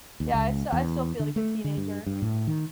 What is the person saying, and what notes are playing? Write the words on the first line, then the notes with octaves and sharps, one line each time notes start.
Yeah. I still I still feel like a teenager.
D#2
C#2
E2
D3
A3
D3
G2
G2
A2
D#3